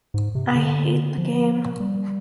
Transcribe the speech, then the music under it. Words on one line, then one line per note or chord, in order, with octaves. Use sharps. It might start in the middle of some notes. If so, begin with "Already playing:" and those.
I hate the game.
G#2
C3
D3
F3
G3